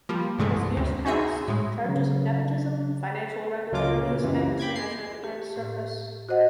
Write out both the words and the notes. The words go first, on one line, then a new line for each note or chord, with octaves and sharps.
As years passed, charges of nepotism, financial irregularities, and mismanagement began to surface.
F3 G3 A#3
G2 C3 E3 G#3 A3
C2
D2 C3
D#4 F#4 G#4 E5
A2 G#3
C#3 F#3
C#2 F#3 G#3 F4 D6
A#2 C#3
C#2 F#2 C3 E3
G5 B5 D6 G#6
C7
G4
A2
F#4 C5 D#5 F#5